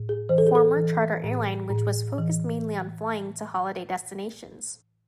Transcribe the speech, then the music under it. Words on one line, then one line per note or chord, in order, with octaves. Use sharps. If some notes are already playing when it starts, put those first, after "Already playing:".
Former charter airline which was focused mainly on flying to holiday destinations.
Already playing: A2
G#4
E3 C5
A4
G#4
A4
E3
A2
A2
E3